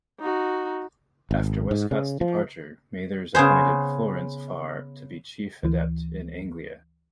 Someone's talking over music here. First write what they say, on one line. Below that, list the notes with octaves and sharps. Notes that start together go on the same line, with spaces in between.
After Westcott's departure, Mathers appointed Florence Farr to be Chief Adept in Anglia.
D#4 F#4
G#1
G#2
C#3
F3
C#3 B3 G#4 C5
D2 E3